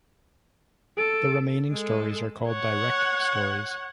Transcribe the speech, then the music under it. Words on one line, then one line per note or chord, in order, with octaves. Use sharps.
The remaining stories are called "direct" stories.
A4 D7
G#3 A4
C#5 F#5